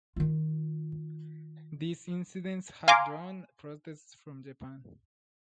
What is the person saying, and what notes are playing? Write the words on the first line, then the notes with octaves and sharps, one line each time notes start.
These incidents have drawn protests from Japan.
D#3 F4
F5 G#5 A#5 C6 D6